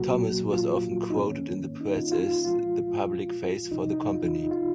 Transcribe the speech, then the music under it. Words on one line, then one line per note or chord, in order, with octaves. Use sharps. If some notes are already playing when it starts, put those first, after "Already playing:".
Thomas was often quoted in the press as the public face for the company.
Already playing: C2 A#2 F#3 A#3 F#4
F4
D#4
G#2 D#3 A#3 C#4
D#4
F4
F4
F4
C2 A#2 F3 G#3 F4
C2 C3 F3 D#4
D#4
F4
D#4
F4